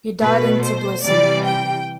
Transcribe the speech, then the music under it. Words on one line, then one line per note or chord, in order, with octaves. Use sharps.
He died in Tblisi.
B2 A3 B4
C5
C3 E3 G3 D5
G5